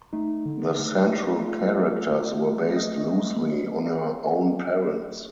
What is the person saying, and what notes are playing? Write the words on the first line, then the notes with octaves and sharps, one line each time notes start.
The central characters were based loosely on her own parents.
A3 D#4
D3
A3
F4
A3
D#5